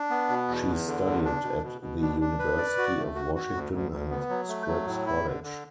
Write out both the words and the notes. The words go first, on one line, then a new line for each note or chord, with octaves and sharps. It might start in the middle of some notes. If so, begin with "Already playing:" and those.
She studied at the University of Washington and Scripps College.
Already playing: D4
B3
B2
E2
E2
D3
E2
D4
B2
B2
B2
D4
D4
B4
D5
F#4
A3
F#4
F#4
D2
D2
D2
B3
F#3
A3
F#3
A2
E4
D3
D3